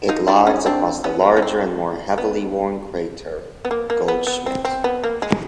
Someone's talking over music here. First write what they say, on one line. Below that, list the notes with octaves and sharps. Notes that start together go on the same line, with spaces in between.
It lies across the larger and more heavily worn crater Goldschmidt.
D#4 F4
D4 E4
C#4 D#4
C4 D4
B3 C#4
C#4
C4
B3
B3
A#3
A#3
B3
B3
C4
C4
B3
A#3
G#3